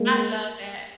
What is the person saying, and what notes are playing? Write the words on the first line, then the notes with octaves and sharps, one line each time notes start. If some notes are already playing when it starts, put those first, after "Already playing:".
I love that.
Already playing: G#3 A#3